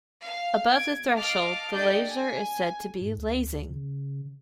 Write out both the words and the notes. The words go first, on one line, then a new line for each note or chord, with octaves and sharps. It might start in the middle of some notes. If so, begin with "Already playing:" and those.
Above the threshold, the laser is said to be "lasing".
F5
G#6 D7
D#5 F5 A5 D6 F6 C7
D4 G4 A4 D5 D#5 G6
G#5
G#2
D2
C#3